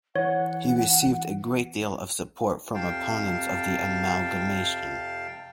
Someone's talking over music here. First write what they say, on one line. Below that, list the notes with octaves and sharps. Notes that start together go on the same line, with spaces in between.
He received a great deal of support from opponents of the amalgamation.
E3 C#5 F#5
F2 C3 F5 G5 A5